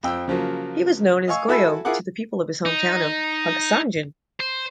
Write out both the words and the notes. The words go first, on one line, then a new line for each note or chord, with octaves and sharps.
He was known as "Goyo" to the people of his home town of Pagsanjan.
F2 C5 G5 E6
C#3 F3 F#3 A#3
D#5 F5 G#5 C#6 E6
E4 F#4 A4 E5 G#5 B5
E4 F4 G#4 A#4 F#5 D6
D#4
C5